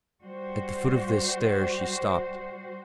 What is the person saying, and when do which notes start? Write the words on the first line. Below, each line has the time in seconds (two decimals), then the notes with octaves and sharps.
At the foot of this stair she stopped.
0.23 G3 F#4 C5